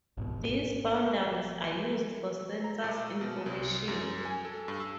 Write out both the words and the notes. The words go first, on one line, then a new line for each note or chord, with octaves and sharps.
These boundaries are used for census information.
G#1 G#2 B2
A#5
A#2
B2
C2
F#2
G#5
A4
G2
E6